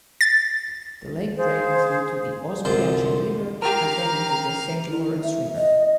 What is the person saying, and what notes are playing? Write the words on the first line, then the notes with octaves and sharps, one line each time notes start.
The lake drains into the Oswegatchie River and then into the Saint Lawrence River.
A6
G#4 C5 F5
C2 F#2 D3 F4 C5
G4 A#4 F5 A#5 F6
E4
E5
D#5